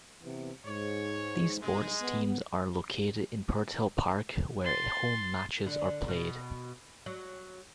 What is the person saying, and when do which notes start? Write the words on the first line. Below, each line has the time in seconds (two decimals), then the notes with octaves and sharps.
These sports teams are located in Purtell Park where home matches are played.
0.22 C3 E3 B3
0.66 G#2 C#5
1.62 B1 G2 G#3
2.01 B3
4.64 C6 A6
5.66 D3
6.08 B2
7.06 F#3